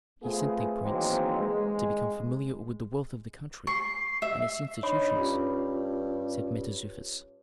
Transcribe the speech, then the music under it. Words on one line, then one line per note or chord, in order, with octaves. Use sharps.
"He sent thee, prince, to become familiar with the wealth of the country and its institutions," said Mentezufis.
A3 B3 C4 F4 G#4
D#3 E3 F#3 G#3 A#3 C4
G#3
C#6 C7
E5
D4 D#4 C#5 B5
G2 C#4 F4